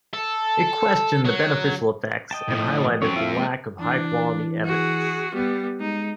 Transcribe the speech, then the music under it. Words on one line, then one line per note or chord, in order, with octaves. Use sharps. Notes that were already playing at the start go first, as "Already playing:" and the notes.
It questioned the beneficial effects and highlighted the lack of high-quality evidence.
A4
F#3
D#5 G5 A5
A2 F3
F2 F#3 C4 C#4 C#5
E4 F4
G#3 A#3
E3 D4
F#4 G#4
G3 B3
G#3 D#4